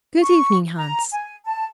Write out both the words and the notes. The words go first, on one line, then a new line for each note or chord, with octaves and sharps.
'Good evening, Hans.
C#6
A#5
G#5
A5